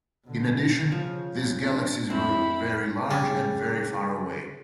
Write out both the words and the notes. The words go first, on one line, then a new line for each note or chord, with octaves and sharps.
In addition, these galaxies were very large and very far away.
B2 D3
C#3 F3
D4
F2 C4 E4 B5
C#3 G3